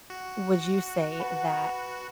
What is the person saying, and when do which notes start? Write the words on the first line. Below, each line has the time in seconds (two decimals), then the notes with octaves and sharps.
would you say that
0.10 F#4
1.20 B4 F#5 A5